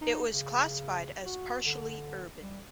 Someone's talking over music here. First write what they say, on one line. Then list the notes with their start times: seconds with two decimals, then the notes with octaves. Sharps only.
It was classified as partially urban.
0.02 D#4
0.32 C#3
1.26 F#4
1.66 D3
2.42 G3